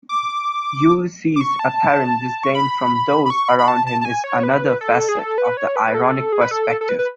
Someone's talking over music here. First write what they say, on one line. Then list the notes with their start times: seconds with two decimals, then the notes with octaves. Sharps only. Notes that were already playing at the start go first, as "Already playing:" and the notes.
Ulysses' apparent disdain for those around him is another facet of the ironic perspective.
0.09 D6
1.36 D6
1.41 C#6
1.59 A5
2.43 C#6
2.55 B5
3.26 B5
3.30 C#6
3.49 B5
3.59 B5
3.68 A5
3.87 A5
4.01 A5
4.05 G#5
4.24 C#5
4.43 B4
4.81 A4
5.09 G#4
5.19 A4
5.38 B4
5.57 C#5
5.76 B4
5.94 A4
6.01 G#4
6.09 A4
6.32 G#4
6.41 B4
6.51 A4
6.70 A4
6.81 A4
6.89 B4
6.99 B4